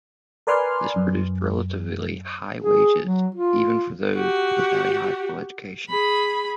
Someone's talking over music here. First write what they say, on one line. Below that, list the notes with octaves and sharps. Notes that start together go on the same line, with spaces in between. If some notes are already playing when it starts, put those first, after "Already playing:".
This produced relatively high wages, even for those without a high school education.
A#4 B4 D5 G#5 C6 F6
F#2
G#4
F#3
F4
F#4 G4
G#4 B5